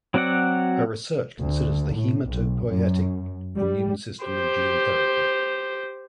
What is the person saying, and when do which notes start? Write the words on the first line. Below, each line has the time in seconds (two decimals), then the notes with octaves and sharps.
Her research considers the haematopoietic immune system and gene therapy.
0.14 F#3 C4 F#4 D5 F#5
1.39 D2
1.94 A2
2.27 B1
2.65 F#2
3.57 G3
4.24 G4 C5